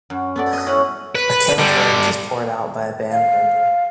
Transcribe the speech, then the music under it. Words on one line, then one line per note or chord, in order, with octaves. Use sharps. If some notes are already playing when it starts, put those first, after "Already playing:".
A can of worms is poured out by a band member.
F#2
B3 A4 D5
D#5
C#4 E4 B4 F#5
B4
D3 G3
F5